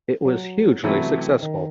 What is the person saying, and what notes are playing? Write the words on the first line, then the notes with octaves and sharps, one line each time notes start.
It was hugely successful.
F#3
C3 E3 F#3 A3 C#4 E4
D#3